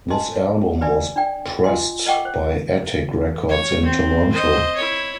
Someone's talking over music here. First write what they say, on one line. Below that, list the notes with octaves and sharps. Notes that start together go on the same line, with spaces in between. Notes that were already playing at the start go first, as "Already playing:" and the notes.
This album was pressed by Attic Records in Toronto.
D#5 G#5 A5 C6
G4 B4 D5 E5 G#5
D4 D5 G5
F4 D#5 G#5 C6
D#5 F#5 G5 C#6 D6
C5
C#5
C4
C5 D#5
E4 C#5